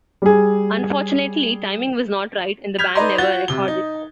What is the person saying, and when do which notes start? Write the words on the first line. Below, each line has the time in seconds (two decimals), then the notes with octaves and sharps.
Unfortunately, timing was not right and the band never recorded.
0.22 G3 G#4
2.79 F6 G6 G#6 B6 F7
2.95 D#4 B4 D5 D#5 A#5 C6
3.18 F4 F#4 A6 G7
3.48 C3 G7
3.68 D#4